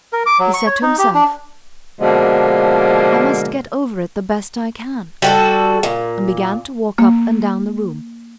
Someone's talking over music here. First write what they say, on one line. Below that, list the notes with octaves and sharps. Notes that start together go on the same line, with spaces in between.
He said to himself, "I must get over it the best I can," and began to walk up and down the room.
A#4
D6
F#3
C#6
C#5
D#4
G4
D4
B2 D3 F3 G#3 A#3
G3 F#4 A4
A#2
A#3